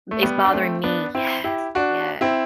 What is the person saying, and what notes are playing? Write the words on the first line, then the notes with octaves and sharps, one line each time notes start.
M "It's bothering me." Yes, yeah.
A3
G3 B3
D4
A3 C4
B3 D4
C4 E4
E4 G4
D4 F#4
C4 E4